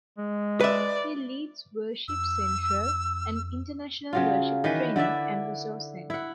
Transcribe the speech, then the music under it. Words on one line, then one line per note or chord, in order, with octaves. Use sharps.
He leads Worship Central, an international worship training and resource centre.
G#3
B4 D5 E5
F2 E6
C#3 F#3 F4
D#3 E3 B4
D3 E4 D5 E5
E4 F#5